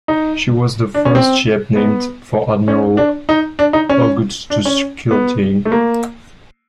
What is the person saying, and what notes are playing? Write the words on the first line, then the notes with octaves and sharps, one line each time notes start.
She was the first ship named for Admiral Augustus Kilty.
D#4
D4
C#4
C4
B3
C#4
D4
D#4
D4
D#4
C#4
D4
C#4
B3
A3
A#3